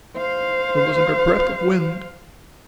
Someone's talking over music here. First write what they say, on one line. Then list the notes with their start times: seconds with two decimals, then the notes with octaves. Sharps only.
There wasn't a breath of wind.
0.18 C5 F5